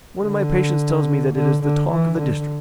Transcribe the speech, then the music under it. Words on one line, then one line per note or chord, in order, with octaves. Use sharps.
One of my patients tells me that it is the talk of the district.
D3
D3
D3
E3
D3